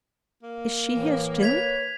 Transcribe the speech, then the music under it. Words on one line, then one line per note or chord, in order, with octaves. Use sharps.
Is she here still?
A#3
A2 E3
B4 C#5 G#6 B6 F7